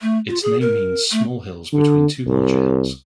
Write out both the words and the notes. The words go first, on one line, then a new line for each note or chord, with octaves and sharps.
Its name means "small hill between two larger hills".
A3
F4
G#4
A#4
A3
D3
C2